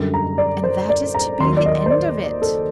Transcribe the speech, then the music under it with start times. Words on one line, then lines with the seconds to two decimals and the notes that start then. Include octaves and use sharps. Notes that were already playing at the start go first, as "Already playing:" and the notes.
"And that is to be the end of it."
Already playing: F#2 D3 G3
0.14 A#5
0.38 D5
0.64 C5
0.89 D5
1.14 A#5
1.40 D#2 D#3 F#3 A#3 C6
1.57 D5
1.66 D#5
1.86 C5
1.90 D5
2.42 A4